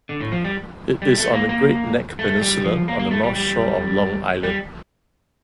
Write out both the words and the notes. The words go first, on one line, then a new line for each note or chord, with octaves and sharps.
It is on the Great Neck Peninsula on the North Shore of Long Island.
D3
A2
F3
G3
G3
A3
A#3
A#3
A3
G3
F3
A#3
A#3
A3
G3
G3
G3